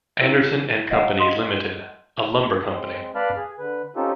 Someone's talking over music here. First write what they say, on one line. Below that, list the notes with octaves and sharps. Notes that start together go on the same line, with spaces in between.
Anderson and Company Limited, a lumber company.
E4 A#4 C#5
D#5 F5 F#5 G#5 A#5
D#5 C6 D#6
G#3 C4
B4 D5 F5 A5 B5 F6
G#4
D3 B4
C4 C#4 D#4 F4 G4 A4